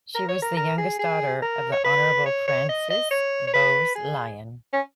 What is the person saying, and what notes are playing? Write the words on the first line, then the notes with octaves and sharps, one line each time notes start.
She was the youngest daughter of the Honourable Francis Bowes Lyon.
A#4
C#5
A#4
A#4
G#4
G#4
A#4
C#5
B4
C#5
C#5
D#5
D#5
C#5
C#5
B4
G#4
C#4